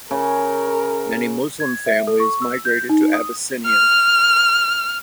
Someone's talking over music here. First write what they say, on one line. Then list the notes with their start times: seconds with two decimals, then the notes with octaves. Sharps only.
Many Muslim families migrated to Abyssinia.
0.11 C#3 A#4
1.60 G#6
1.86 E5
2.07 A4
2.20 C#6
2.42 E6
2.65 G6
2.90 D#4
3.14 D#6
3.66 F6